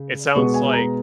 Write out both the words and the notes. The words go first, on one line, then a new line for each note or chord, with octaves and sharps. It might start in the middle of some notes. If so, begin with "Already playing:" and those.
it sounds like
Already playing: C#3
B2 G#3 B3 C#6
G#5
A#5